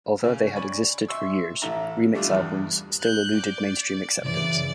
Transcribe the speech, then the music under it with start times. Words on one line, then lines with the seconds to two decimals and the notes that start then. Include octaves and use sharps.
Although they had existed for years, remix albums still eluded mainstream acceptance.
0.24 C#3 C#4
0.55 D5 G#5 B5 C#6
1.08 E5 C6 C#6 E6
1.62 A1 E4 A4 E5 A#5
2.14 E3 G3 A3 D4 E4 F4
2.30 E2 G2
3.00 F#6 G6
3.37 D5
4.23 F#2 C#3 E3 D5